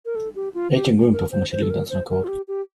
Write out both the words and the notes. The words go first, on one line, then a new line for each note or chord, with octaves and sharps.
Eight young women perform a cheerleading dance on a court.
A#4
A4
G4
F4
G4
A#4
C5
C5
A4
A#4
C5
A#4
F4
G4
G4